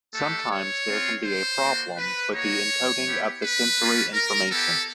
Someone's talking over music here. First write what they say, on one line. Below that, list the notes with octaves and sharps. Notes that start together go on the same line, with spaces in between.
Sometimes there can be a problem with the encoding of the sensory information.
A3 D4 G4 A4
C#5
C4 F4
C5
A#3 D4 F#4
B4
A#3 D#4 F#4 C#5
B3 E4 G4
B4
A#3 C#4 F4
A#4
B3 E4 G4 A4